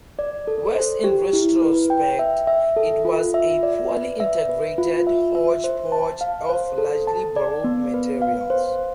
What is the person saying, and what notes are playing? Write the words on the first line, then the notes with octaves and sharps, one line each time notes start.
Worse in retrospect, it was a poorly integrated hodgepodge of largely borrowed materials.
D5
A4
C5
G4
E4
B4
G5
E5
E5
A4
F4
E5
D5
B4
E5
B4
F4
E5
E5
C5
A5
F5
C5
A4
A5
D5
B3
B4
F5
C5